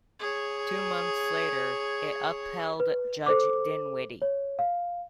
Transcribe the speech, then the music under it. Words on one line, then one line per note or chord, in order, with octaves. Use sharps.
Two months later, it upheld Judge Dinwiddie.
G#4 C#5
B4
A4 C5 D6
C#5
F5